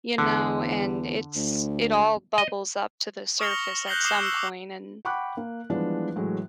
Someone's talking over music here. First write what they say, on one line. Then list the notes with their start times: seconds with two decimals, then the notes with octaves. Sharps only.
you know, and it's it all bubbles up to the surface at some point and
0.18 E2 D3
1.35 D2
2.38 D#5
3.40 C#6 D#6 F6 C#7 F7 G7
3.51 A#6
3.87 F#6 G6 A#6 C7 F#7 G7
4.04 D6 D#6 C7 E7 G7
4.23 E6 F#7
4.36 D6
5.05 F#5 G5 B5 C#6 D6 F#6
5.37 A#3
5.70 E3 F3 G3 G#3 B3 D4
6.16 A2 E3 F#3 G#3